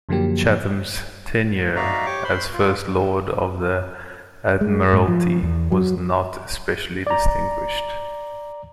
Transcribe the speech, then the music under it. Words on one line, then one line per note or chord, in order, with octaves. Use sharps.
Chatham's tenure as First Lord of the Admiralty was not especially distinguished.
F#2 D3 F3 F#3 A#3 G4
D#4 F#4 D5 E5 F5 A#5
G4 C#5 C#6 D6
C5 B5 C6
F4
G#3
G#2
F3
E2
F#3
D5 A#5